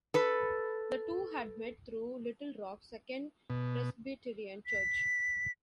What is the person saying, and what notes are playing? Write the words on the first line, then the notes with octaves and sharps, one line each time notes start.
The two had met through Little Rock's Second Presbyterian Church.
A4 B4
B2
B6